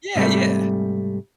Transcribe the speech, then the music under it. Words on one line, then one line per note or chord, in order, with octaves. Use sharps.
Yeah, yeah.
G#2 C3 F3 G3 A3